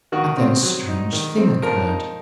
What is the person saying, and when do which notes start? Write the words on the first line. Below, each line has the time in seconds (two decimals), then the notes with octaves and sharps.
And then a strange thing occurred.
0.12 D#3 F#4
0.37 C4
0.63 F#3
0.88 D#4
1.13 D#3
1.37 C4
1.63 F3 A#4
1.88 D#4